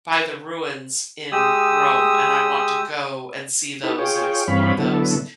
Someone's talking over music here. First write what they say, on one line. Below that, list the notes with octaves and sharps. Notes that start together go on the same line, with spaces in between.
by the ruins in Rome, and I want to go and see those and explore those.
G#3 G4 D#6 E6
D#4 E4 G4 A4 B4
F4 G#4 C#5 G5
G2 E3 C4 C#5 F5 B5
D3 F#3 B3 E4 A4